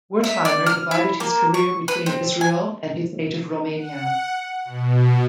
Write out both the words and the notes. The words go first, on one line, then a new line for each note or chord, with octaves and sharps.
Wertheimer divided his career between Israel and his native Romania.
E5
D5
F6
E4
A#3
C#6
B4
C4
G#5
F#5
B2